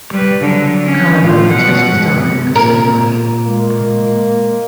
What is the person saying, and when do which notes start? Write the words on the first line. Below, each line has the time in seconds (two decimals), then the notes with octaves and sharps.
However, the test is done in the same way.
0.12 G3 B4
0.41 D3 F#3
0.84 C#4
1.20 A2 F4
1.50 B2 F#5
1.90 G#2
2.56 A#2 A#4
3.47 G#3 A#3